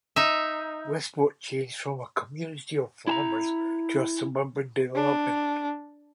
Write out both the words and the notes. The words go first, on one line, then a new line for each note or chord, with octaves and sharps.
Westport changed from a community of farmers to a suburban development.
D#4 E5
E4 A5 A#5
D4